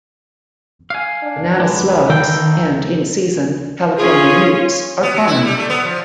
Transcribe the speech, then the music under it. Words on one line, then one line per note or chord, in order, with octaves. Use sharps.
Banana slugs and, in season, California newts are common.
F5 G#5
D4
G#3 D4 B4
D#3 A#3 A4 G5
C#4 F4 G#4
B3
F#3
E4
G3
A3
B3
F3